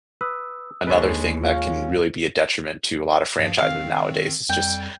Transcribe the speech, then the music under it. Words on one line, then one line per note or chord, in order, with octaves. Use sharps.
another thing that can really be a detriment to a lot of franchises nowadays, is just
B4 D#6 E6
D#2 D3 G#3 B4 C#5
G#3 C#4 F4 F5
G2 F3 F5
D#3 C4 F5
F2 G3 G5